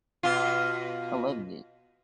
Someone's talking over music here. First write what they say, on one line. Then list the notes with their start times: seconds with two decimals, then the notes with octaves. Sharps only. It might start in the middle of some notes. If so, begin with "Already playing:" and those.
I loved it.
0.23 B2 F4